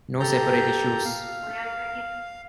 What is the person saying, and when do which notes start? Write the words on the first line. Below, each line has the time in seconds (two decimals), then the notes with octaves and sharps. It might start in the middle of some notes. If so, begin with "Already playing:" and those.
No separate issues.
0.20 G4 A4 A#5 G6
1.05 F5